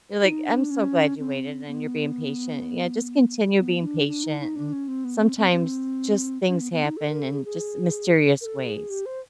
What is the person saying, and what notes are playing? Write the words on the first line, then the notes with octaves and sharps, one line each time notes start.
you're like I'm so glad you waited and you're being patient. Yeah, just continue being patient and sometimes, just things happen in just mysterious ways.
G4
D#4
D4
C#4
C4
B3
B3
D4
D4
D#4
D#4
D4
C#4
C4
B3
C4
C4
C4
C#4
B3
B3
D#4
A4
A#4
A4
G#4
G#4
A#4
A4
G#4
G4
C5